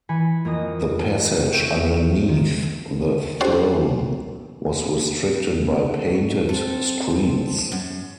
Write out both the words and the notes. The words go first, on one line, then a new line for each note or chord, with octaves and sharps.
The passage underneath the throne was restricted by painted screens.
E3 G#5 B5 C#7
F2 A#3 D#5 D#6 A#6
C#5 E5 G5 G6
D#3 F3
C#4 D4 F#4 G4 A4 C5
F#3
C4 A4
F#2